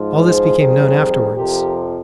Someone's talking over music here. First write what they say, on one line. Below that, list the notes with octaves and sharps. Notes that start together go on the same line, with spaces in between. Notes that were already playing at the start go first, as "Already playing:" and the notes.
All this became known afterwards.
Already playing: G#2 F3
G#4 C5
F2 D#3 G3
F2 C3 F3 G4 A#4